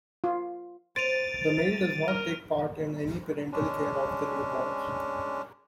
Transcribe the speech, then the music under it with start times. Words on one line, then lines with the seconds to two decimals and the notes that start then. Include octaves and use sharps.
The male does not take part in any parental care of the newborns.
0.24 F4
0.96 C5 A6 D7 D#7 F7
2.08 D#3 A#4 F6
3.52 G#3 C#4 D4